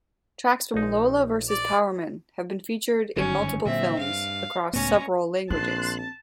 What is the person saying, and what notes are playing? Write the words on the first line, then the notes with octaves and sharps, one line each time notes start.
Tracks from "Lola Versus Powerman" have been featured in multiple films across several languages.
A#1 D#4
D5
G1 F#2 D#3 C#4
A#2 D3 F#3 C4 E5
G2 F5
C#2 A2 B3 C#4 A#5
A#1 C4 A5 C6 F#6